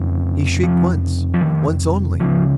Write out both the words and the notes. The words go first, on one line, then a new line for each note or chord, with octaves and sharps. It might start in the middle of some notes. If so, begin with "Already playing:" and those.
He shrieked once--once only.
Already playing: F1 F2 C#3
F3
F3
D#3
C#2 C#3 F3